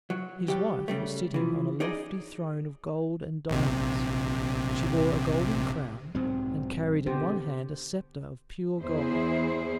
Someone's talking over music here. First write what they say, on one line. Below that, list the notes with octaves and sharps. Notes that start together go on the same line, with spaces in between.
His wife was sitting on a lofty throne of gold and diamonds; she wore a golden crown, and carried in one hand a scepter of pure gold.
F#3
F#3 G3 G4
C#3 G3 A3
E3 F3
D#4 G#4 D5 D#5
A#1 C3
B1 G#2 F#3 C4
B2 D3 G4 C5
E2 E4 G#4 C5